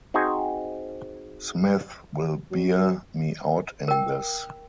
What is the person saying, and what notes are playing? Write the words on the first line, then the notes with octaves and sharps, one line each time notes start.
Smith will bear me out in this.
C4 D#4 F#4 G#4 C5 G#5
F#3
A#4 G5